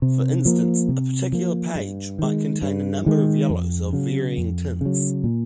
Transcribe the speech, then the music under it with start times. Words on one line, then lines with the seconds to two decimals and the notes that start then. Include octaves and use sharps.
For instance, a particular "page" might contain a number of yellows of varying tints.
0.02 C3
0.45 F3 A#3
0.89 C3
1.32 F3 A#3
1.75 G2
2.19 D#3 G#3
2.62 G2
3.06 D#3 G#3
3.50 F2
3.93 C#3 F#3
4.38 F2
4.81 C#3 F#3
5.24 A#2